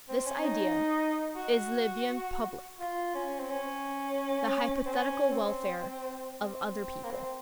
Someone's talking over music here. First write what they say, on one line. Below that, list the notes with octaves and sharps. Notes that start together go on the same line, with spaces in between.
This idea is le bien public, the hypothetical welfare of other people.
C4
C#4
D#4
F#4
F4
C#4
C4
C#4
C4
C#4
C4
C4
A#3
C4